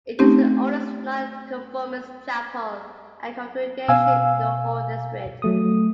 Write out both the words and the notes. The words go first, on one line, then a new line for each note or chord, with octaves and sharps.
It is the oldest Non-conformist chapel and congregation in the whole district.
A3 C4 C#4 D#4 G4
B2 F5 G#5 E6
F#3 A3 D#6